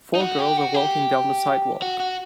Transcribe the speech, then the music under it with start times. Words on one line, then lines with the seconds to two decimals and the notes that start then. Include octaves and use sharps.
Four girls are walking down the sidewalk.
0.15 D#4
0.21 F#4
0.39 G4
0.57 F#4
0.74 G4
1.82 F#4
2.00 F#4